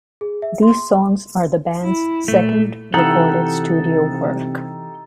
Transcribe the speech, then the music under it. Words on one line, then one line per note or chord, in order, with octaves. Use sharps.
These songs are the band's second recorded studio work.
G#4
E5
C6
E4
A#2 A3
C3 E3 D#4 G4 A4 E5 F#5